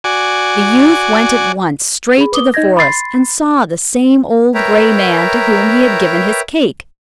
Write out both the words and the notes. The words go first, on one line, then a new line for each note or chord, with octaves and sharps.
The youth went at once straight to the forest, and saw the same old gray man to whom he had given his cake.
F#4 D5 G#5
G#4 B5
B4 D6 D#6 G7
D#4 D#5 G6 G#6 A#6
B5 C6 A6 C7
A#4 B4 C#5 E5 G5 A#5